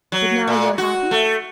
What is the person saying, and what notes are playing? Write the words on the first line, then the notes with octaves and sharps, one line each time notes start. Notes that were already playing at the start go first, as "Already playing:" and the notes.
"But now you are happy?"
F#3
A#2
F#4
A3